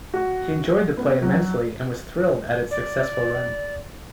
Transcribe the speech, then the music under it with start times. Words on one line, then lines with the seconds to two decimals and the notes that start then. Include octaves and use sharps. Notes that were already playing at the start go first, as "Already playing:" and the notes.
He enjoyed the play immensely and was thrilled at its successful run.
0.14 F#4
0.97 B3
1.22 F#3
2.71 D5